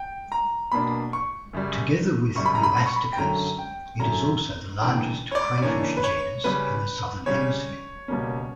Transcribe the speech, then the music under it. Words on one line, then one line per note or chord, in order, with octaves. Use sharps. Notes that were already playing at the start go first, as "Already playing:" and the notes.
Together with "Euastacus", it is also the largest crayfish genus in the Southern Hemisphere.
Already playing: G5
A#5
B2 A#3 D4 B5
C#6
F#2 C#3 G3
F#2 C#3 G3 C#6
B5
A#5
B5
B5
C#6
B5
G5
F#2 D3 F#3 C#4 A#5
G5
F#2 D3 F#3 C#4 A#5
C#3 E3 A#3 D4 G5
C#5
D5
D5
C#3 E3 A#3 D4 C#5
B4
C#5
C#3 G3 C#4 B4
C#3 G3 C#4 C#5
C#2 B2 G3 A#3 C#4